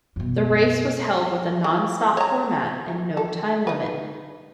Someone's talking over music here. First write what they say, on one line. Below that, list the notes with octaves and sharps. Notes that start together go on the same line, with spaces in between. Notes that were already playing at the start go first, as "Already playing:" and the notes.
The race was held with a non-stop format and no time limit.
F#2 B2
E3
C#5 A#5
A4
D#4 B4